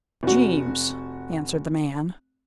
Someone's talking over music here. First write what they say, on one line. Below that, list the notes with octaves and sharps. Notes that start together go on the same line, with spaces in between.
"Geemes," answered the man.
F1 F#4